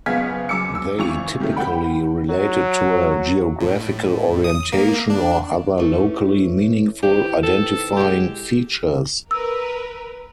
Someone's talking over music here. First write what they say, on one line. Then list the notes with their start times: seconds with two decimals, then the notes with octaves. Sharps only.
They typically related to a geographical orientation or other locally meaningful identifying features.
0.06 F#1 B3 G#4 F5 G#6 B6
0.49 F#2 D6 E6 C#7
0.75 E6
0.99 G#1 E3 C#6 F7
1.40 C3 D#3 F#3 A3
1.56 F#5 G5 B5
2.30 F#3
3.60 A2
4.44 D#6
4.72 A#3
5.10 D4
5.78 E3 A3 C#4
7.03 D#3 E3 C4 G4
7.43 A4
7.97 B2 G#3 G4
9.31 A#4 B4 E6